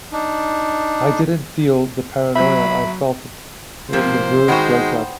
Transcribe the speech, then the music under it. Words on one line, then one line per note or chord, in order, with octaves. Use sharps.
I didn't feel the paranoia I felt when The Verve broke up.
D4 D#4
F#3 E5 B5
G#2 C3 F3 A#3 C5
D#3 G#3 B3 D#4 F#4 D5 G5